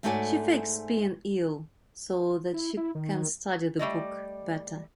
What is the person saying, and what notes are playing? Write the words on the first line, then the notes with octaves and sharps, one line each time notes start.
She fakes being ill so that she can study the book better.
G#2 A3 F#4 C#5 D5 G#5
E4
E4
D#3
G3 A3 D5 D#5